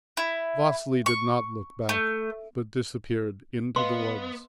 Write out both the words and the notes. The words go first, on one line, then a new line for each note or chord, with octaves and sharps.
Vasily did not look back, but disappeared into the woods.
E4
C#6
A3
B3 B4 D#5 F5 C6